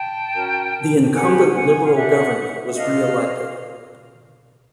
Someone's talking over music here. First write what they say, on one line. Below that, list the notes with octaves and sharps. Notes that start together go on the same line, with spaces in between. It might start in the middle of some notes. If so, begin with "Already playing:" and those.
The incumbent Liberal government was re-elected.
Already playing: G5 A5
C#4 F#4 A#4
D4 G4 B4 F#5 G#5
F#5 G#5
F5
D4 G4 B4 E5 F#5
D4 F4 A4 D#5 F5